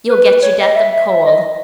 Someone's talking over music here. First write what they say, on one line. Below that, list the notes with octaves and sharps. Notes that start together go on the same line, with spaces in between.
You'll get your death of cold.
B4
B4
C#5
D#5
E5
E5
E5
D#5